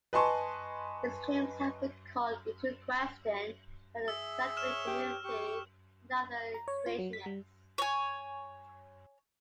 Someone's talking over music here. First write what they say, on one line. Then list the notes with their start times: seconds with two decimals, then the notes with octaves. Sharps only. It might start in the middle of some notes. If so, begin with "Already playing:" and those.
His claims have been called into question by the scientific community and other creationists.
0.13 B4 D#5 G#5 A5 C6 C#6
4.08 G#4 E5 E6
4.57 C#5 F6 E7
4.87 G4
5.24 G4 C#6
6.54 A#5
6.68 C#5
6.86 F4
6.98 F#3
7.13 B6
7.26 G3
7.78 C#5 G#5